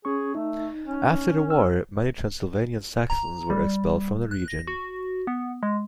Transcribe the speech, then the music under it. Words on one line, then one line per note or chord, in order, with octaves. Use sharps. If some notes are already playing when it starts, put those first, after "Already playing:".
After the war many Transylvanian Saxons were expelled from the region.
C#4 G#4 C#6
A3 D#4
C#4
E6 F6
A#5
G3
F#6
A#6
F#4
B3
G#3